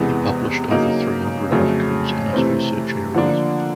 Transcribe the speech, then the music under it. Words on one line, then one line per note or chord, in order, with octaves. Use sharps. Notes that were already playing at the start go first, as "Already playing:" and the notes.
He published over three hundred articles in his research areas.
Already playing: E2 C3 E3 G#3 B3
C#3 F#3 A#3 D#4
F2 C#3 F#3 A3
C3 E3 A3 C4
D3 F3 A#3 D4